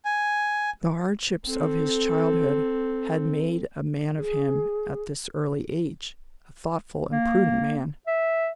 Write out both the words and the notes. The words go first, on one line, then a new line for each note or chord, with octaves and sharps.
The hardships of his childhood had made a man of him at this early age, a thoughtful and prudent man.
G#5
C4 A4
G#4
A#3
E5